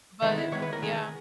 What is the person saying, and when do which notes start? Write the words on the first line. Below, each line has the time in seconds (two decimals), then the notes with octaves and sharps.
But yeah.
0.22 D#3 G#3 B3 D#4
0.38 E4
0.52 D#3 G#3 B3 C#5
0.62 B4
0.73 A#4
0.82 D#3 G#3 B3 G#4